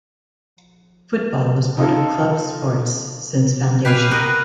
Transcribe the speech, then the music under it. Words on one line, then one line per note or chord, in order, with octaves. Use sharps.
Football was part of clubs sports since foundation.
D#4 F4 A4
G4 B4 F5 G#5
B3 F#4 A#4